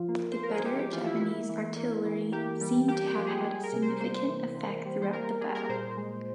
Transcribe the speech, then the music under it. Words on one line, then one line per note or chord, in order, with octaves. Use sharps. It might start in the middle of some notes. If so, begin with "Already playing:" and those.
The better Japanese artillery seem to have had a significant effect throughout the battle.
Already playing: F3 F4
A#3
F3 C5
A#4
G#4
G#3 G4
G4
E3 F4
E4
A#3 E4
E3
A#3
E3
A#3 G4
G3
A#3 G4
G4
F3
G#4
G3 G#4
A#4
C3
C5
A#3 C5
E3
A#3
G3
C5
A#3 A#4
G3 G#4
A#4
A#2 C5
G#3